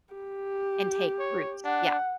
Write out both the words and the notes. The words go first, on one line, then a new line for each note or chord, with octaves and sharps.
and take root. Yeah.
G4
C#5
D4 F#5